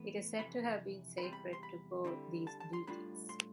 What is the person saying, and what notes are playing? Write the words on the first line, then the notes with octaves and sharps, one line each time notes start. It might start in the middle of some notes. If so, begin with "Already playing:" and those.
It is said to have been sacred to both these deities.
Already playing: A2 E3 B3
F2 C3 E3 B5
B5
E2 C3 G3 C6
B5
C6
B5
D3 G3 C4 E4
A5
A5
C6
A2 G3 D4 F4 B5
C6